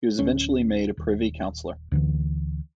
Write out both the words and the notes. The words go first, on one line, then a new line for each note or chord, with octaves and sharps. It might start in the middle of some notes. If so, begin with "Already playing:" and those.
He was eventually made a privy councillor.
D1 C#4
D#1
D2 D3 E3